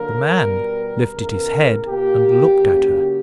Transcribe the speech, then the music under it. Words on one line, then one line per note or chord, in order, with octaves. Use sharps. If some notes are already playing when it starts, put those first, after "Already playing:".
The man lifted his head, and looked at her.
Already playing: D3 F#3 A#3 A#4
B2 G3 B3
C#3 E3 B3 A#4
A#2 A#3 G4
C#3 F#3 A#3